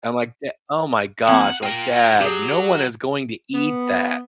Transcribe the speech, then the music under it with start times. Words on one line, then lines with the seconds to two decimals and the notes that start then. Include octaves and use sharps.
I'm like, "Da oh my gosh." I'm like, "Dad, no one is going to eat that.
1.28 F3 A#3 C4 F#5
1.63 F4 A#4 G5
2.20 F#3 G4 G#4
3.54 B3